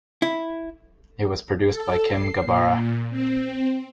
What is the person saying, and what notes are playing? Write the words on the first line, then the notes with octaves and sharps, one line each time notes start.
It was produced by Kim Gabara.
E4
A4
C7
A#2
C4